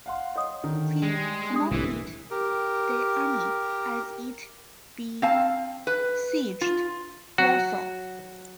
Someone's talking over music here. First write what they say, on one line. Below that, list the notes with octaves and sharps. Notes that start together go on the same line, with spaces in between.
He commanded the army as it besieged Warsaw.
F5 F#5 C6
C#5 D#5 D#6
D3 D#3
G3 G#3
D4 G4 D#6
C2 A2 E3
G4 A#4
C4 F5 A5
B4
F4
F#3 F#4